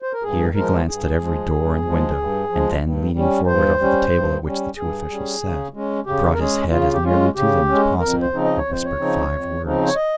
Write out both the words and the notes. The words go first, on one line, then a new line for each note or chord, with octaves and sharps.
Here he glanced at every door and window; and then, leaning forward over the table at which the two officials sat, he brought his head as nearly to them as possible and whispered five words.
C5
A#4
G2 G#4
F3 G#3 A#4
G2 G#4
F3 G#3
G2
F3 G#3
G2
F3
G#3
G2
G3 C#4
G2 C5
G3 C#4
G2
G3 C#4
G2 G#4
G3 C#4
C#3
G#3 C#4
C#3 G4
A#4
G#3 C#4 G#4
C#3 F4
G4
G#3 C#4 F4
C#3 G4
G#3 C#4
F2 A#4
C5
C#3 F3 C4 D#4
D#5
C#5
F2
C5
C#5
C#3 F3 C4 D#4
F2
C#3 F3 C4 D#4
C5
C#5
D#5